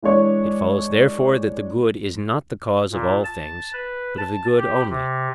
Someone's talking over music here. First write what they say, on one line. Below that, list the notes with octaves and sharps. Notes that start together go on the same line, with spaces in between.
It follows therefore that the good is not the cause of all things, but of the good only?
E3 G#3 D4 C#5
A#2
A5
B4
A5
G4
C3